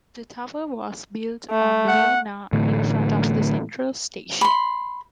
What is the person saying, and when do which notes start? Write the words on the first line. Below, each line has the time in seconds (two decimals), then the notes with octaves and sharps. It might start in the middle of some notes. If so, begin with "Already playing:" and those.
The tower was built on Weena in front of the Central station.
1.50 A3
1.88 F#5
2.52 A1 A2 D3 A3
4.41 B5 C6